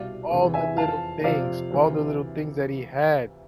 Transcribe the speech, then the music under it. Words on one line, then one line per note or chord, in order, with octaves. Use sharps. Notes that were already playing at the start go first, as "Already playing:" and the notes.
all the little things all the little things that he had,
Already playing: C2 B2 D5 F5
E2 C3 E3
E5 G#5
F2 E3 F5 A5
F2 C3 F3 D5 F5
D2 C3 E3